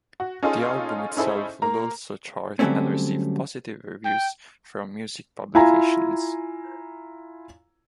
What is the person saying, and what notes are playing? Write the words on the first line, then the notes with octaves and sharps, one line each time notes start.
The album itself would also chart and receive positive reviews from music publications.
F#4
C#4 D#4 F4 G#4 A4 C6
C#4 D#4 E4 G#4 A4 C5
A#3 A#5
D3 F#3 G3 A3 C4 C#4
G5
E4 F4 G#5 A#5